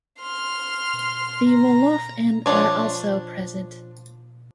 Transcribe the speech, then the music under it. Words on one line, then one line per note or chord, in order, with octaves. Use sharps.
The Wolof and are also present.
C6 F6
A#5
F3 F#3 D4 C#5